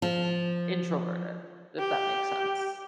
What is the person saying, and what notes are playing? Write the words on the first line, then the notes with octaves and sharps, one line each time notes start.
introverted, if that makes sense.
F3
G4